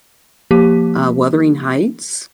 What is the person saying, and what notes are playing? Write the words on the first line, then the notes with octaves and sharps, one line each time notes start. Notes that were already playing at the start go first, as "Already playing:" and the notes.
uh, Wuthering Heights.
F3 A#3 G4